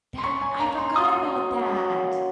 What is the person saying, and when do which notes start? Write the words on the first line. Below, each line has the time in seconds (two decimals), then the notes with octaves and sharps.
that I forgot about that.
0.18 C6
0.24 C#4 C#6
0.41 G#5
0.59 A#3 A#5
0.78 C6
0.96 F#3 D#6
1.32 F#3
1.68 C#4
2.04 A#3